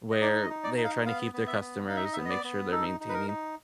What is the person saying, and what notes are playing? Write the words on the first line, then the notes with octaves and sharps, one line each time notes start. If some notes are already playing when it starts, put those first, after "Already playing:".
where they're trying to keep their customers, and make sure they're maintaining
D#5
D#4 D5
D#5
D#4
D5
D#4
F5
B3 F5
B3
E5
B3
D#4 F5
E5
D#5
E5
B3
D#5
D5
B3
D#4 A4
D#4
B4
A#4
D#4